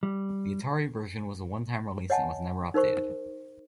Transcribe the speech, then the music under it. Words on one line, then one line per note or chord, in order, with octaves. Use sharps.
The Atari version was a one time release and was never updated.
G3
C#5 D#5 F#5 G#5 A5
D#4 A#4 C5 C#6